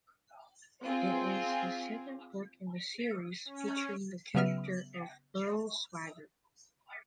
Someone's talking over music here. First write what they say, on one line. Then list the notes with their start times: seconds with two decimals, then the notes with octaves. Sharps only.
It is his second book in the series featuring the character of Earl Swagger.
0.85 C4 F4 G#4
3.45 C#4
4.35 C#3 F#3 B3 E5 F6